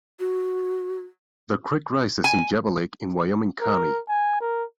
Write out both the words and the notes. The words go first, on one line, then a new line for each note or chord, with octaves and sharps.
The creek rises in Java Lake in Wyoming County.
F#4
G#5
A#4
G#5
A#4